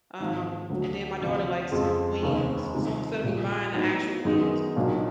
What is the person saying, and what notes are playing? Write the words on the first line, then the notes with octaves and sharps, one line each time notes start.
um, and then my daughter likes wings, so instead of me buying the actual wings,
G#1 G#2 F3
D2 D3 F#3
D2 C3 F3
F2 C#3 F3 G#3 C4
F1 D#2 C#3
C#2 C3 D#3 G3
A#1 A#2 G3
A2 F#3 B3 D#4
F#2 D#3 G#3 B3 D#4
B1 A#2 F#3 A#3 D4